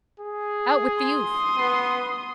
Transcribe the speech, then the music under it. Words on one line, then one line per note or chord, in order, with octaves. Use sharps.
Out with the oof.
G#4
C6 D#6
B3